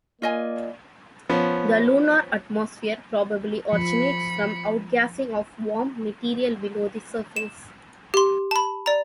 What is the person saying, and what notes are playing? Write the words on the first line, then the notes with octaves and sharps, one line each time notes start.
The lunar atmosphere probably originates from outgassing of warm material below the surface.
A#3 F4 D5 D#5 G#5
F3 B3 C#4
F3 B5 C#7
E7
G4 C6
A5 B5
D5 A#5